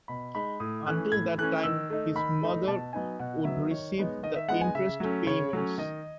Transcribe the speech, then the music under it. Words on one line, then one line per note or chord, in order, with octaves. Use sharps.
Until that time, his mother would receive the interest payments.
B2 B5
G#3 D#4 B5
A2 D#6
E3 A3 C#4 F#6
A2 G#6
E3 A3 C#4 F#6
D#3 E6
A3 D#4
D#3 B5
A3 D#4
B2 A5
F#3 B3 D#4 G#5
B2 F#5
F#3 B3 D#4 E5
D#3 C#5
G#3 B3 D#4
D#3 D#5
E5
G#3 B3 D#4 F#5
G#5
C#3 E5
F#3 A3 C#4
C#3 C#5
F#3 A3 C#4
D#3 D#5